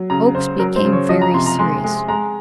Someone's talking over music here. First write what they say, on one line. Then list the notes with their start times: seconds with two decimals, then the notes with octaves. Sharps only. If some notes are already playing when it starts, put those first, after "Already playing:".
Oakes became very serious.
Already playing: F#3
0.10 C#3 A#5
0.35 C#3 C5
0.59 F#3 A#4
0.76 C5
0.85 C#3
0.92 C#5
1.09 F3 D#5
1.22 A#5
1.34 C3 C6
1.46 A#5
1.59 G#3 C6
1.84 G#3
2.08 G#3 A#5